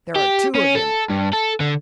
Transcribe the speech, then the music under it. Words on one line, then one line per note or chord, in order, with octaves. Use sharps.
There are two of him.'
G4
C#4
A4
G2
A4
D3